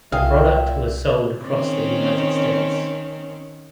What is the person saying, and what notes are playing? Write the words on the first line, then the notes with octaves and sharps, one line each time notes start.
The product was sold across the United States.
C2 A#2 G#4 E5 F5 G5
D#3 C4 C#4